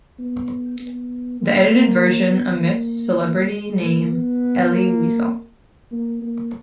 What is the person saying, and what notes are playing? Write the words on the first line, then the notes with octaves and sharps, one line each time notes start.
The edited version omits the celebrity's name-Elie Wiesel.
B3
B3
A#3
A#3
B3
A#3
A#3
G#3
A#3
B3
A#3
A#3
A#3